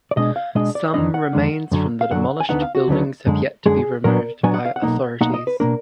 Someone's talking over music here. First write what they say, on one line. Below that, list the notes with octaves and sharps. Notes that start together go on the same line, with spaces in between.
Some remains from the demolished buildings have yet to be removed by authorities.
D5
B2 G#3 D4 D#5
F5
B2 G#3 D4 D#5
D5
F2 D#3 G#3 D4 D#5
F#5
F2 D#3 G#3 D4
F#2 D3 F#3
F5
F#2 D3 F#3 F#5
G#5
D2 D3 F#3 B3 D#4 F#5
F5
F#4
D2 D3 F#3 B3 D#4
F#2 D3 G#3
F#2 D3 G#3 G#4
A#2 F#3 B3 D4 A#4
A#2 F#3 B3 D4 G#5
F#5
F5
F#5
B1 B2 A#3 D#4
B1 B2 A#3 D#4 F#5
D#5
B4
B2 A#3 D4 A#4